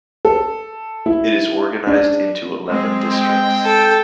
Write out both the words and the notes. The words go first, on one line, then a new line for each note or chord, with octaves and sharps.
It is organized into eleven districts.
A4
E4
D4
G#3 C4
G5
A4